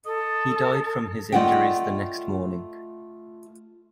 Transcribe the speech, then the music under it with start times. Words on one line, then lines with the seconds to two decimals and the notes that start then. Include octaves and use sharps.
He died from his injuries the next morning.
0.06 A4 D#5
1.32 A3 F4 D5 D#5 F#5 G5